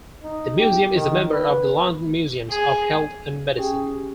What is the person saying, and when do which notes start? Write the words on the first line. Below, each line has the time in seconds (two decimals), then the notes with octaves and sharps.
The museum is a member of The London Museums of Health and Medicine.
0.23 D#4
0.57 G4
0.94 D#3
1.32 B4
2.50 G#4
3.57 C#4 G4 G#4 G5